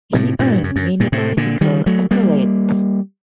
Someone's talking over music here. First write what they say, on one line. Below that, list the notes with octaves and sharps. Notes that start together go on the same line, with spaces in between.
He earned many political accolades.
A2 C3
G2 A#2
F#2
F#2
G2 A#2
A2 C3
A#2 D3
D#3 G3
F#3 A3
G3 A#3